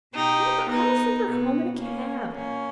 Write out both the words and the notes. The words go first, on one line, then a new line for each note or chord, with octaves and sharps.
'Oh, but I will send her home in a cab.
B2 D#4 G4
B3 D#4
B2 B3
A#3 C#4
A#2 A#3 C#4